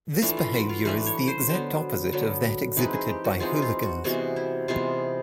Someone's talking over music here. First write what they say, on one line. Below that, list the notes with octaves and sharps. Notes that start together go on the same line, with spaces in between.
This behavior is the exact opposite of that exhibited by hooligans.
E3 A3 D4 F4
F4
F#4
F4
E3 A3 D4 B4
C#5
C5
D3 F#3 B3 C5
D3 F#3 B3
E3 G#3 C4 D#4 B4
G#4
G4
F#4
E3 G#3 C4 D#4 F4
F4
F#4
C3 E3 G#3 B3 F#4
E4
C3 E3 G#3 B3 F4